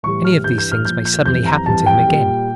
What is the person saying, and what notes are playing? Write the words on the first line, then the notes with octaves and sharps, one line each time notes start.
Any of these things may suddenly happen to him again.
A2 E3 G3 C#6
F6
G2 E3 G3 G6
G6
F6
A#2 F3 G6
G6
F2 E3 G3 G6
A#5
F2 E3 G3 A5
G5
A#2 G3